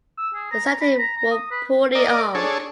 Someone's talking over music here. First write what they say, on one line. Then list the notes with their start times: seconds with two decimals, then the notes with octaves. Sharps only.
The Santee were poorly armed.
0.18 E6
0.34 G#4
0.51 A#5
0.66 A#5
0.80 B5
0.99 A#5
1.17 A#5
1.31 D#6
1.51 B4
1.95 A#4 D5 D#5
2.35 D4 G#4 A4 C#5